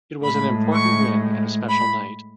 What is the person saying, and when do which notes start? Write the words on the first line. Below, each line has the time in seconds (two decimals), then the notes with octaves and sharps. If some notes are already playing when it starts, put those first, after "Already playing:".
It was an important win and a special night.
0.24 A2 G#3 B5
0.72 C#6
1.69 B5